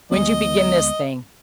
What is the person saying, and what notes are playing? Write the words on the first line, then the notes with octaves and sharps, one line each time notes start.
"When'd you begin this thing?"
D2 G#3 B3 D#5